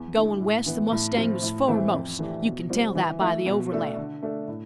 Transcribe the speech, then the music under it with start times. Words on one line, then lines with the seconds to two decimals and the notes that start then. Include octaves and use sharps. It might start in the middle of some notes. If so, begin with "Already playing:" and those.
Goin' west the mustang was foremost; you can tell that by the overlap.
Already playing: E2
0.15 D3 A3 E4
0.41 A2
0.66 E3 B3
0.91 A2
1.17 F3 C4 F4
1.42 A2
1.68 E3 A3 C4
1.93 F2
2.19 E3 A3 D4 G4
2.44 B2
2.70 G3 C4 F4
2.95 E3
3.21 A3 E4
3.46 B2
3.72 A3 D4 A4
3.97 D3
4.23 A3 D4 A4
4.48 A2